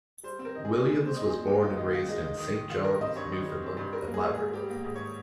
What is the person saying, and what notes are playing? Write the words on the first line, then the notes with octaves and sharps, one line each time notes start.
Williams was born and raised in Saint John's, Newfoundland and Labrador.
G3 C5
C4
A#4
D#4
G#4
A#2
G3 G#4
C4
C5
D#4
G#4
A#2
G#3 G4
D#4 F4
D#3 D#4
D#3 F4
G#3 D#4
D#4
D#3
D#3
D#3 F4
G3 A#4
C4 D#5
G2 C#5
D#3
G3
C4
G2
G3 A#4
A#3
G#4
G#2
G#2 G#4
G3 G4
A#3
G#2
C#5